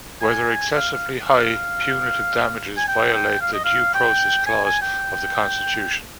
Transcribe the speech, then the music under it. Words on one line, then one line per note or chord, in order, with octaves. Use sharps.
Whether excessively high punitive damages violate the Due Process clause of the Constitution.
G#5
F5
F5
F5
G#5
G5
G5
F5
D#5
F5
G5
G#5
G#5
G5